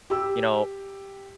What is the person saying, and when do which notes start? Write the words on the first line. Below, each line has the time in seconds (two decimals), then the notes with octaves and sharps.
you know
0.10 G4 E6